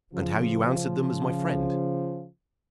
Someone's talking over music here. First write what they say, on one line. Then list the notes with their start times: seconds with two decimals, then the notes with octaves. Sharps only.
"And how you answered them as my friend."
0.13 C#3 F3